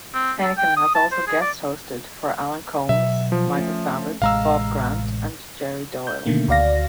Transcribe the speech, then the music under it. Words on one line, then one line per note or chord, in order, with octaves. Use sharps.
Henican has also guest-hosted for Alan Colmes, Michael Savage, Bob Grant and Jerry Doyle.
C4
A4
G5
D#6
A5
C5
G#4
D5
B2 F#3 E5
F3
A3 A#3 C#4
A1 C3 G#3 F5 A#5 E6
G6
B2 D3 D#3 A3 A#3
D2 F#4 D5 F5 A#6